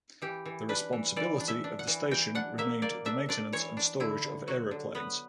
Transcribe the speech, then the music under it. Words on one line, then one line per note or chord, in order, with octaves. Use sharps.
The responsibility of the station remained the maintenance and storage of aeroplanes.
E3 G4
E3
D4 B4
E3
E3 D5
D4
E5
D4
F#5
E3
E3 G5
D4 F#5
A#3 E5
A#3 D5
D4 E5
D4 D5
E3 C#5
D4
D3 E4
D3
F#3 F#4
D3
B3 B4